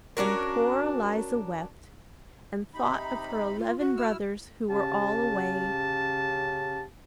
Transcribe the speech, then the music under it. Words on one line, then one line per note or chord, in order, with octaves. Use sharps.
Then poor Eliza wept, and thought of her eleven brothers who were all away.
C#4 D4 F#4 A#4
C3 D#4 B5
F4
F#4
E4 E6 F6
C#3 C#4 G4 F5 A5